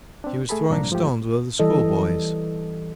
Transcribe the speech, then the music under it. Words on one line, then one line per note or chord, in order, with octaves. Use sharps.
He was throwing stones with other schoolboys.
C4 D4
A3 G#4 A4 B5
C2 G2 A#2 F3 D4 A#5
G#2 F3 A3 G4
E3 G3 A4 D#5